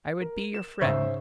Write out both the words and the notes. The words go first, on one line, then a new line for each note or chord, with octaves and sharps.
I would be your friend.
A#4
E7
G#2 C#3 C5 C#5 E5